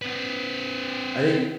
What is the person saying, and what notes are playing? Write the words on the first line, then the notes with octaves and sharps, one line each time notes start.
I think,
C4 B4